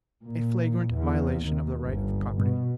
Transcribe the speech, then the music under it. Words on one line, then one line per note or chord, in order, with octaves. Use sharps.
A flagrant violation of the right of property.
A#2
E2
D#2
G1
B2